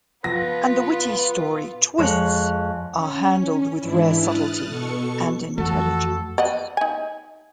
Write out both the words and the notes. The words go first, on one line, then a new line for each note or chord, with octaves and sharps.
And the witty story twists are handled with rare subtlety and intelligence.
F3 B3 F4 B4 A#6
F2 G#3 C#5 F#6
C#4
G#2 E3 D4 E4
D#6 F6 F#6 A6
B2 A4 C#6 C#7
F2 E3 A3 F#4 A4
D5 D#5 F#5
D#4 G#5